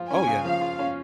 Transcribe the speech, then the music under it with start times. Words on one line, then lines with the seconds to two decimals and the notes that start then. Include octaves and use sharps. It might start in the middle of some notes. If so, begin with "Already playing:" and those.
Oh, yeah.
Already playing: F3 F4
0.10 C#4 G#5
0.27 C#3
0.45 F3 F5
0.61 F4
0.79 C#4